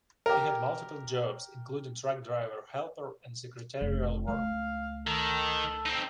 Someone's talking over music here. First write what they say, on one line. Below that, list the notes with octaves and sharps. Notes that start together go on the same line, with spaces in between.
He had multiple jobs, including truck driver helper and secretarial work.
G4 A#4
F1
C#2 A3 F5
D#3 A4
C4 D#4